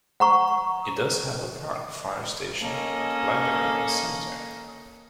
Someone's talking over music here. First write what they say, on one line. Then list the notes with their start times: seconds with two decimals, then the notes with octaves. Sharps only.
It does have a park, fire station, library and cemetery.
0.20 F#5 A#5 C#6
2.61 A#3 C#4 A4 D#5